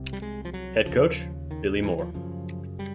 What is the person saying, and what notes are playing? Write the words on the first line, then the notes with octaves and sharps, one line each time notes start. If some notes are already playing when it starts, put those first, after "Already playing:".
Head Coach: Billie Moore.
Already playing: C2 C3
G3
G#3
F3
F#3
D#2 C#3 F3
D#3
E3
F3
F#2 C#3 F3
G3